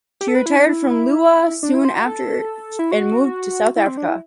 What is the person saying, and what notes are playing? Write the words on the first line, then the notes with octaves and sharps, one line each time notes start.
She retired from Lewa soon after and moved to South Africa.
G4
A4
B4
E4
D4
E4
D4
E4
C5
F#4
A4
E4
F#4
E4
C4
D4
E4